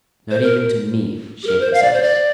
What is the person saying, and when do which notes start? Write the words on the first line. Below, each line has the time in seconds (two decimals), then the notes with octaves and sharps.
"Not even to me," she emphasized.
0.31 C5
0.43 A#4
1.43 G4
1.47 A#4
1.61 C5
1.73 F5
1.82 D5
1.93 C5
2.02 D5